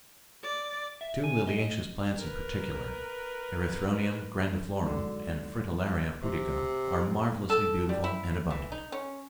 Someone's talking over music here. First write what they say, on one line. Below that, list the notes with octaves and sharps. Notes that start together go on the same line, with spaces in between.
Two liliaceous plants in particular, Erythronium grandiflorum and Fritillaria pudica, are marvelously beautiful and abundant.
D5
E5
G#5
D#5
A#4 B4
G#2 D3 F#3
C3
A4
G3
E4
E3
D#4
C#4